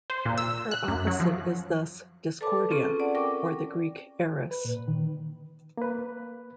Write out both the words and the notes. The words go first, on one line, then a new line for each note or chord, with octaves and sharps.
Her opposite is thus Discordia, or the Greek Eris.
C5
A#2
E6
F#6
F#2
F#3
F3
A4 B4 D5 A5 B5 D6
C4 C#4 F4 G#4 A4
D5 F#5 A5
A#4 G5 C#6 D6
B4
A#2
D#3
A#3 B4